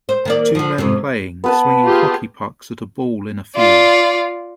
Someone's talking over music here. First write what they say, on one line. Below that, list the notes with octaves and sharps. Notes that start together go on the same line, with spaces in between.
Two men playing swinging hockey pucks at a ball in a field.
C5
D#3 A#3 D5
D3 F3
F2 G#2 C3
B3 B4 A5
F4 G4 G#4
F4 D5